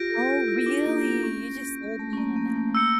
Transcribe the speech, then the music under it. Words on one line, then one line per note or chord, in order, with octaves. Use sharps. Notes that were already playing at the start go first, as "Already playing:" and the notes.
Oh, really? You just sold me on that.
Already playing: F4 G4 G6 A#6 D7
A4
G4
F4
E4
D4
A#3
A#3
C#4
A3
C#4
A#3
A#3
A3
A#3 E6 G6 C#7 G7